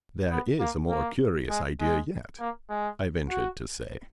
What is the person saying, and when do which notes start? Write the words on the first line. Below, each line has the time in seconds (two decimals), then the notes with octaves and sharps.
"There is a more curious idea yet," I ventured to say.
0.31 B3
0.60 A#3
0.90 A#3
1.50 G#3
1.80 G#3
2.40 A#3
2.70 G#3
3.30 F#4